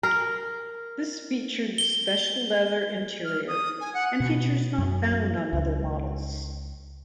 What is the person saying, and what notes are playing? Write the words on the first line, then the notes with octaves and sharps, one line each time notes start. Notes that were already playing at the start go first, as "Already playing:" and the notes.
This featured special leather interior and features not found on other models.
A#4
G7
F6
D#6
G#5
F#5
B2
F#2
C#2